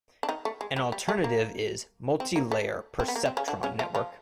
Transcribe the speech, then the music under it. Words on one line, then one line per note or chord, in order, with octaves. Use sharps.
An alternative is "multilayer perceptron network".
D4
D#3 D#4
A3
G#3
G3
G3
A3
A#3
C4
A#3
A3
C4
B3
A#3
C4
C#3 C#4
D3 D4
C#3 C#4
F3 F4
F3 F4